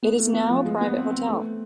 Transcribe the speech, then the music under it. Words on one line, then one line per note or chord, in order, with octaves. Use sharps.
It is now a private hotel.
B3
A3
B3
F3
G#3
B3
C4
C4
A3